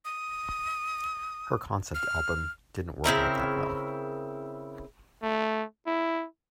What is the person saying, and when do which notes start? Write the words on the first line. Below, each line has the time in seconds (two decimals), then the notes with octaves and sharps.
Her concept album didn't work out that well.
0.05 D#6
1.95 F6
3.04 C#3 C4 E4 A#4
5.23 A3
5.87 E4